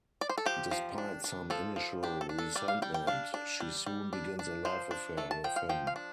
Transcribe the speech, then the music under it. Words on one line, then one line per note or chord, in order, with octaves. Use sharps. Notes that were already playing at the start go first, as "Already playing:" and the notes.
Despite some initial resentment, she soon begins a love affair with him.
D5
C5
A4
F3 G4
F3
D4
D4
F3 A4
F3
D4 G4
A4
D4
A4
G3 D5
F5
G3 G5
G5
D4 F5
D4
G3
G3
D4
D4
F3 C5
D4
A3 A4
A5
F3 G5
F5
F3 G5
F5
D4